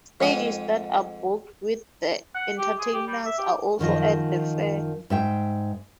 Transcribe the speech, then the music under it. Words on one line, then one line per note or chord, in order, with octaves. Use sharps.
Stages that are booked with entertainers are also at the fair.
F2 G#2 D#6
F#5
G4
G#4
G4
G3
E5
G4
F#2 D#3 F3 D#5
G#2 E5 G5